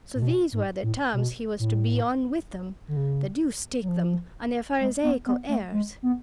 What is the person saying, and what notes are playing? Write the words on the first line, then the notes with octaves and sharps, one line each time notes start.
So these were the terms he was to be on with them--the deuce take them and their pharisaical airs!
A2
B2
G#2
A2
B2
A2
D3
C#3
F#3
F3
G#3
B3
B3
A3
G#3
B3